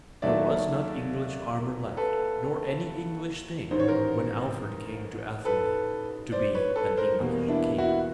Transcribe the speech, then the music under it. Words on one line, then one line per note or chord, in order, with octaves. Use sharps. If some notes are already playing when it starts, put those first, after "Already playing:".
There was not English armour left, Nor any English thing, When Alfred came to Athelney To be an English king.
D#2 D#3 F#3 A3 D5 E5
A4 B4
A1 G#2 D#3 C5
C#5
A#4 C5
A4 B4
C5 D5
B4 C#5
A4 B4
A#4 C5
E2 B2 G3 A#3
D4 E4
E4 F#4